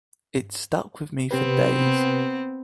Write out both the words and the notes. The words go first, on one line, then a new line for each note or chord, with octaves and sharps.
It stuck with me for days.
C3 B3 C4 G4 B4